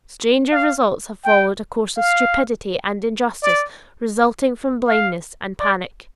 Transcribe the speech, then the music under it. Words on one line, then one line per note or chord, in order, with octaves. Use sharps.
Stranger results have followed a course of stupidity and injustice resulting from blindness and panic!
F5
G5
F5
D5
F5
D5